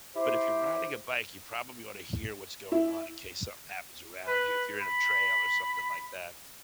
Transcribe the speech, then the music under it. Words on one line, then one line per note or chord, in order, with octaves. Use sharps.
but if you're riding a bike, you probably ought to hear what's going on in case something happens around you, if you're in a trail or something like that.
E4 G4 C5
E4
B4
B5